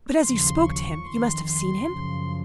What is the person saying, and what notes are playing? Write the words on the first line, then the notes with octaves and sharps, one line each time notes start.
"But as you spoke to him you must have seen him."
D#2 C#3 F3 C6
C#6
F2 D#3 C6
C6
F#2 C#3 F3